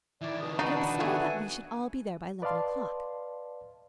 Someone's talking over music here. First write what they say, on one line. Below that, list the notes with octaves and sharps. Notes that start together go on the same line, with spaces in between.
And it was settled that we should all be there by eleven o'clock.
D#3 E3 E4 D5
C#2 B2 D#6
D4 D#4 F#4 B4
A3 B3 G#4 E5 F#5 G#5
B4 D5 D#5 F5 A5 C6